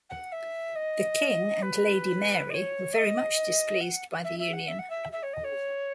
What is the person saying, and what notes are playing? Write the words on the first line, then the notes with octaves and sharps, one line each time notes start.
The King and Lady Mary were very much displeased by the union.
F#5
E5
D#5
B4
D#5
C#5
E5
D#5
F#5
E5
E5
F#5
E5
F#5
E5
E5
C#5
D#5
C#5